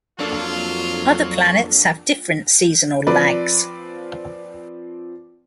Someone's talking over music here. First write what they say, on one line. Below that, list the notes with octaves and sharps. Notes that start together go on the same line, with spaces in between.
Other planets have different seasonal lags.
F2 F#3 A#3 D4 F4 A4
F3 C4 B4 D5